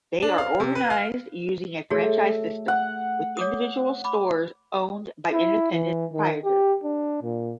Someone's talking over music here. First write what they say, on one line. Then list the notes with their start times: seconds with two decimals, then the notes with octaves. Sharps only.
They are organized using a franchise system, with individual stores owned by independent proprietors.
0.22 D4
0.38 F5
0.60 C3
0.75 B4
0.90 F5
1.90 A3 F#4 G#4 C#5
2.68 F#5
3.37 C#5 D6 D#6
4.04 B5 D6
5.33 E4
5.73 E3
6.13 D#3
6.45 G4
6.84 D4
7.23 A#2